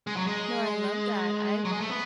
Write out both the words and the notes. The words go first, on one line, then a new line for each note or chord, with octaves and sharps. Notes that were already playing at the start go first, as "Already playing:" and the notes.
no, I love that, I've
G#3
F#3
G#3
F#3
G#3
A3
B3